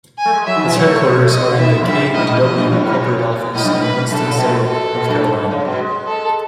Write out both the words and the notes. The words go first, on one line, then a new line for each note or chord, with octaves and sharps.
Its headquarters are in the K and W Corporate Office in Winston-Salem, North Carolina.
G#5
A3
G#3
F#3 E5
D#3
E3
F#3 C#5
A3
A3
G#3
A3
G#3 D#5
B2
C#3
D#3 E5
G#2
E2
F#2 E5
G#2 D#5
G#2
E2 D#5
F#2
E2 C#5
F#2
G#2
A2
G#2 D#5
F#2
G#2
B4
F#2 A4
A2
C#3
B2
A2
B2
A4
B2
F#2
C#3
B2
G#3
A4